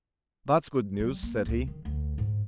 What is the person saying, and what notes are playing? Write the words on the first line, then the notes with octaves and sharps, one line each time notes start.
"That's good news!" said he.
F#3 G3
A#3
C#2 C#3
D#3
D2 A3
G#2